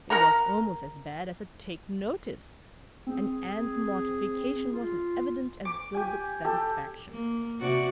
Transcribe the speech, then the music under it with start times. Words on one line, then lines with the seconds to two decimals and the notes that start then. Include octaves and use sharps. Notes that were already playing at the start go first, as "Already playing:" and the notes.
It was almost as bad as a take-notice and Anne's mortification was as evident as Gilbert's satisfaction.
0.10 A#4 F#5 A#5
3.07 C4 G#4
4.72 F4
5.65 D6
5.94 G4 G#5
6.45 G4 A4
7.10 A#3
7.59 C3 F#4 D5